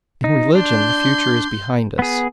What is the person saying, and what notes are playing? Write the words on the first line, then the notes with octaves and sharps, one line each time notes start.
In religion the Future is behind us.
D#4
D4 C6 G6
B3 G#4